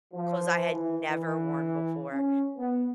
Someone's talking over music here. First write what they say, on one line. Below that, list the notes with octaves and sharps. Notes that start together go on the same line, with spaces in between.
Clothes I had never worn before.
F3
E3
E3
C#4
B3